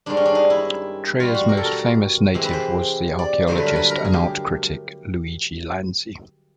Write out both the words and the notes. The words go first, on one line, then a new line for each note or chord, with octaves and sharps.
Treia's most famous native was the archaeologist and art critic Luigi Lanzi.
G2 D#3 G#3 C4 D4
C#4
D4
D#4
E4
B2 G3 B3 F4
F#4
A#4
A4
A#4
C3 E3 G#3 C4
B4
C5
D5
G2 D3 F#3 A3 C5
B4
A#4
B4
A#4
G#4
G4